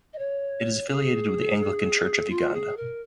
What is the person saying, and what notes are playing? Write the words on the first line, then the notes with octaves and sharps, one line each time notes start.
It is affiliated with the Anglican Church of Uganda.
D#5
C#5
G#4
F4
G#4
A#4